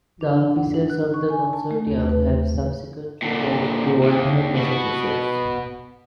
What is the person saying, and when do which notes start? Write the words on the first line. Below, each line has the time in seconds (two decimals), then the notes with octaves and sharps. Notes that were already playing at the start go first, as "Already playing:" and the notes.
The offices of the Consortium have subsequently moved to Wenham, Massachusetts.
0.21 D4
0.56 F#5
0.74 D#4
0.90 F#6
1.14 C#6
1.30 G#5
1.53 A5
1.71 A3
1.87 D#2
2.09 B4
3.22 A#2 D3
4.03 D#2
4.55 B2 F#4